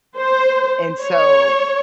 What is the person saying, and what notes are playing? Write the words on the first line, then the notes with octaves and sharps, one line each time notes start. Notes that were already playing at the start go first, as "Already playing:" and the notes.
And so
C5
C#5